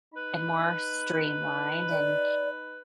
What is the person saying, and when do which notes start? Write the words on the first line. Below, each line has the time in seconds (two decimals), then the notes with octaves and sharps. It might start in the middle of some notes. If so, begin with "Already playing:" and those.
and more streamlined, and
0.13 D#4 B4 B5
1.91 D5